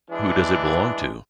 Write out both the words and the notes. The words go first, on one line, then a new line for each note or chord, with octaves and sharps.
Who does it belong to?
E3 G#3 D4